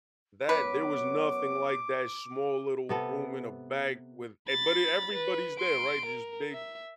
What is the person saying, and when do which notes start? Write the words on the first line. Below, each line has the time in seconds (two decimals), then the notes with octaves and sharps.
that there was nothing like that small little room in a back with e but it everybody's there, right? Just big,
0.49 F#2 B3 B4 C#5 D6
2.89 C3 B3 A4
4.49 B5 A6
5.14 B4
5.58 C6 D7
6.06 A#4
6.53 E5